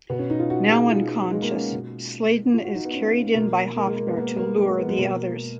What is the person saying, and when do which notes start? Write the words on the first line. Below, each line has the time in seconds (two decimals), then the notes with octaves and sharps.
Now unconscious, Sladen is carried in by Hofner to lure the others.
0.10 B2 B3
0.19 C#4
0.30 D#4
0.39 F4
0.50 F#4
0.70 G#4
0.87 D#4
0.91 F4
1.31 G#3
1.42 A#3
1.52 C#4
1.72 B2
2.54 F4
2.64 F#4
2.75 D#4
2.85 B3
2.94 C#4
3.35 B2 A#3
3.76 A#3
3.87 G#3
3.96 A#3
4.07 B3
4.17 A#3
4.37 A#3
4.58 G#3
4.68 A#3
4.78 B3
4.89 G#3
4.98 B2 A#3